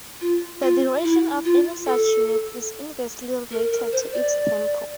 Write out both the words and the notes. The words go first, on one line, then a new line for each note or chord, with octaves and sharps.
The duration of any such unit is inversely related to its tempo.
F4
F4
E4
F4
A4
A#4
A#4
C5
D5